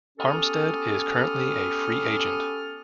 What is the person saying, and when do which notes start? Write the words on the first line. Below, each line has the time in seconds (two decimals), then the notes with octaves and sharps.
Armstead is currently a free-agent.
0.18 B3 C#4 G4 A4 D#6 F6